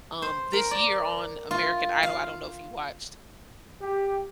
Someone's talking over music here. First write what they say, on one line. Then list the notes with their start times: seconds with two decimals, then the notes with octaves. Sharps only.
um, this year on American Idol. I don't know if you watched.
0.22 C5
0.53 A#4
0.71 D5
1.51 F4
2.03 F5
3.80 G4